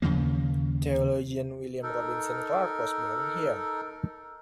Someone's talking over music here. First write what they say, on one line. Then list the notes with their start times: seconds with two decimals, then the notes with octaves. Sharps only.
Theologian William Robinson Clark was born here.
0.02 D#2 C#3 F3 A#3
1.83 D#4 A4 A#4